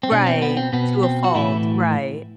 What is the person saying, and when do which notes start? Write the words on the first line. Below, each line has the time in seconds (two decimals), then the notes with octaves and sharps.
Right, to a fault, right.
0.03 C4
0.11 B2 D4
0.26 C4
0.42 B3
0.57 C4
0.73 B2 B3
1.03 C4
1.24 F#4
1.35 A2 E3 E4